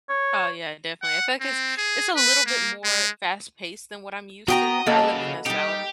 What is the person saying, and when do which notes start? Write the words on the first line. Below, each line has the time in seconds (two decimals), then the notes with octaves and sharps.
Oh, yeah, definitely. In fact, it's it's a little bit more fast paced than what I'm used to. I lived in the South.
0.09 C#5
1.02 F#5
1.41 C4
1.77 G#4
2.16 B4
2.46 A#3
2.84 G#3
4.48 B3 F#4 D#5 G5 A#5
4.87 C#3 A#3 A4 B4 D#5
5.46 G3 D#4 G4